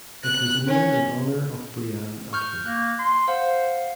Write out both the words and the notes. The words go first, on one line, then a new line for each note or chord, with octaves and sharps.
It was named in honor of Brianne Atwood.
F#6
C#4
C#6 F6 G6
A#3 F#6
C6
C5 F5 F#5